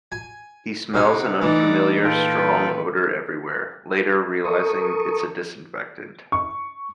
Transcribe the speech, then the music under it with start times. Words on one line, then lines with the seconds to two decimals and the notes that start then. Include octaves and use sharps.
He smells an unfamiliar strong odour everywhere, later realising it is disinfectant.
0.12 G#5
0.94 C3 D#4 F#5 G#5
1.42 E3 A3 D#4 D5
2.04 A#2 F4 A4 B4 G5
4.45 A4 A#4 C#6 D#6
6.32 C#6